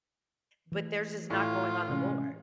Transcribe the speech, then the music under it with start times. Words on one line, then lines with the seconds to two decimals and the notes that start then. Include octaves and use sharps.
but theirs is not going on the board.
0.72 E3 A3
1.30 A2 F4
1.89 C3 E3 G#3 C#4